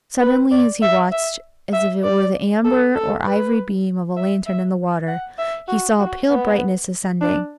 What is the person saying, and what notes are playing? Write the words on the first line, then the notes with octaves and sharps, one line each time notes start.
Suddenly, as he watched, as if it were the amber or ivory beam of a lantern in the water, he saw a pale brightness ascending.
B4
D5
E5
E5
E5
D5
A4
A4
B4
E5
E5
F#5
E5
F#4
F#4
B3
D4